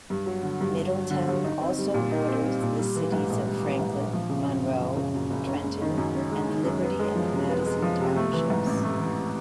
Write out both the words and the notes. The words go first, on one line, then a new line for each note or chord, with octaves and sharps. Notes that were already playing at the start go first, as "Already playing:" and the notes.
Middletown also borders the cities of Franklin, Monroe, Trenton, and Liberty and Madison Townships.
G2
F#3
D3
G2
G2
F#3
D3
G2
D#4
C4
G3
A#2
D#4
C4
G3
A#2
G3
E3
G#2
A#1
G3
E3
G#2
A#1
F3
C#3
F#2
F#1
F3
C#3
F#2
F#1
C#4
G#3
D#3
F#2
C#4
G#3
D#3
F#2
B3
G#3
F3
C3
B3
G#3
F3
C3
A3
E3
G#2
A1
A3
E3